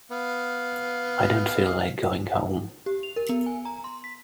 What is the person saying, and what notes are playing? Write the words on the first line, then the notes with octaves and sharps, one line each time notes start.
I don't feel like going home.
B3 F5
G4
F7
A#4
B3
G#5
A#5
C6
B6